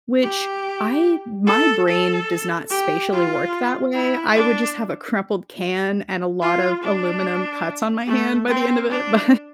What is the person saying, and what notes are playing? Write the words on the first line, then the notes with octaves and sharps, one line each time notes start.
which I my brain does not spatially work that way. I would just have a crumpled can and a lot of aluminum cuts on my hand by the end of it but
G4
A4
A4
G4
F4
E4
D4
F4
D4
A3
C4
D4